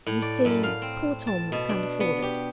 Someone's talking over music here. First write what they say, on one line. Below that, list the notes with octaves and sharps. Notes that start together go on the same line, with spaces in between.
"You see, poor Tom can't afford it."
A2
D5
F#2
F5
C4
A5
B2
D4
B3
G4